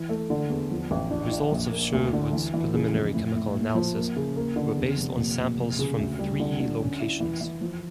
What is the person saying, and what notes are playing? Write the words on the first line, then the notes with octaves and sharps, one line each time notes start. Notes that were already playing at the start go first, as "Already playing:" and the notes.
The results of Sherwood's preliminary chemical analysis were based on samples from three locations.
Already playing: E3
A3
D3
E2
F3
A1
D4
D4
A#1
A#3
D2
D3
E3
E3
C#3
F2
A2
A2
A#2
F3
A#3
C#3
A#3
D3
E2
F1
A#2
A#2
F1
C#3
D2
G3
D3
D3
C#4
E4
E3
E3
F3